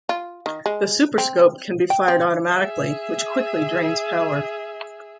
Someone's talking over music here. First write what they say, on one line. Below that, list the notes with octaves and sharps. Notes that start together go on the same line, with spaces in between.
The Super Scope can be fired automatically, which quickly drains power.
F4
D#3
G#3
C4
G5
C4
G#4 E5